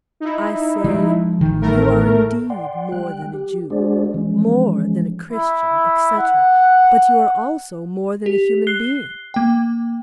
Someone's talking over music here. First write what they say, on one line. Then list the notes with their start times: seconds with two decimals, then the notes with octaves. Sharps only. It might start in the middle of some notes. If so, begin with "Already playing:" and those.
I say: You are indeed more than a Jew, more than a Christian, etc., but you are also more than a human being.
0.20 D#4 E4
0.84 F3 G#3
1.41 A1 D#3
1.61 A2 A3 A#4
2.50 D5 F#5 G5 C6
2.92 G3 G5 F#6
3.34 G4
3.70 G#3 D4 F#4 G#4 C5 D5
4.14 E3 F3 G#3 C#4
5.33 E4
6.18 F#5
8.26 G4
8.67 F#6 C7 G7
9.34 A#3 G5